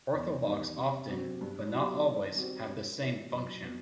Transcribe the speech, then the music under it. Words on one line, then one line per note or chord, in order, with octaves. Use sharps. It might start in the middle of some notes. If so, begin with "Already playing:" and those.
Orthologs often, but not always, have the same function.
E2
D#3 G3 D#4
C3
F#3 C4 F#4
G2
F#3 B3 E4 G4
D#3
G3 C4 F#4
G2
E3 B3 E4
F#2
F#3 B3 F#4